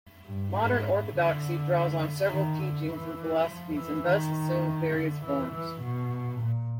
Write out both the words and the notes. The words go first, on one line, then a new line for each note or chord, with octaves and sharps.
Modern Orthodoxy draws on several teachings and philosophies, and thus assumes various forms.
G2
G#2
D3
D#3
D3
E3
F3
E3
D#3
D3
E3
E3
B2
A#2